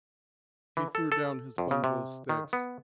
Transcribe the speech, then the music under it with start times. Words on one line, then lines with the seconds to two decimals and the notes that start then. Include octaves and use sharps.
He threw down his bundle of sticks.
0.77 E3
0.95 A4
1.12 A4
1.58 F2
1.71 C#3
1.84 C3
2.29 D#3
2.53 B3